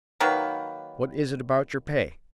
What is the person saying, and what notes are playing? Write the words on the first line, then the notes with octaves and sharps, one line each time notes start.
"What is it about your pay?"
D#3 F#3 A#3 B4